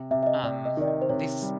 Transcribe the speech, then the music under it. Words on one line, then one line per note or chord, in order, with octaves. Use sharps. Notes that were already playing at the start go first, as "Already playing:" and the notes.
um, these
Already playing: C3
C3 E5
E5
D#5
C3 D5
D#5
D#3 D5
D#5
C5
C3 C#5
G3